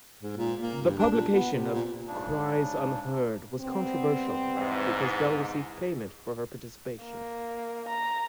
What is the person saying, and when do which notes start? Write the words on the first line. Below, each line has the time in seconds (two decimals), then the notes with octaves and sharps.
The publication of "Cries Unheard" was controversial because Bell received payment for her participation.
0.23 G#2
0.37 A#2
0.60 A#3
0.82 G2
0.98 D4
1.12 A#2
1.31 B3
1.53 C3
1.72 A#2
2.07 G#2 C#3 D4
3.61 G3 B3 C4
4.55 E2 G#2
7.04 A#3
7.89 A#5